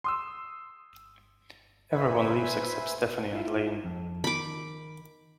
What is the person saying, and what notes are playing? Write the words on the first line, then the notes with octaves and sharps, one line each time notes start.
Everyone leaves except Stephanie and Lane.
C6 D#6 E6
B4 C5 E5 G#5 B5
E4 F4
F2
D#3 B5 D6